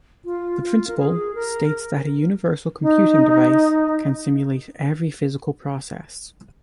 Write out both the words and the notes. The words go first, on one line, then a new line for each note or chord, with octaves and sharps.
The principle states that a universal computing device can simulate every physical process.
F4
F4
A#4
G#4
A#4
D#4